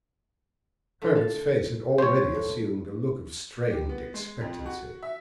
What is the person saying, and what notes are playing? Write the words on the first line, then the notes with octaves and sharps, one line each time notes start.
Herbert's face had already assumed a look of strained expectancy.
A2 D3 A3
A4 F5
G3 C5 C#5
A2
G4
B3
G#3
F2
F#4
E5